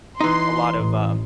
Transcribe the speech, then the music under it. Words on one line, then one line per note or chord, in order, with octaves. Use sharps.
a lot of uh,
E3 D#4 C6
A1